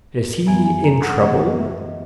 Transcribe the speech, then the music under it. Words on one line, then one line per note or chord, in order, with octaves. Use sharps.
Is he in trouble?
F#2 E3 B3 G#5
G#5
A#5
F#5
F#2 E3 B3 F#5
E5
D#5